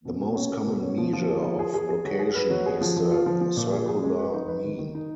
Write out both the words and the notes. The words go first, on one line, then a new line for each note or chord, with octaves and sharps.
The most common measure of location is the circular mean.
B2
B2
C#4
A#3
B2
C#4
F3
F3
G#4
F3
G#4
G#4
G#4
F#3
G#4
B4
F#3
G#4
F3
F3
F4
F3
F3
A#2
G#4
G#4
G#3
B4
D#4
B4
D#3
D#3
D#4